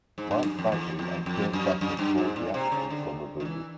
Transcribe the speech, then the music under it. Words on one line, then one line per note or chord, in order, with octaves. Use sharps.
Mike Bagley and Kurt Becker called the action from the booth.
G#2
G2
F#2
F2
E2
F2
F2
F#2
F#2
G2
G#2
A#2
C3
C#3
D3
D#3
E3